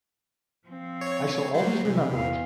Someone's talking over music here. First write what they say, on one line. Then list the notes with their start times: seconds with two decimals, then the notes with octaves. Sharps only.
I shall always remember it.
0.67 F3 C4
1.01 C#5
1.54 F#3 G3 C5
1.85 C3 E3
2.14 E2 F5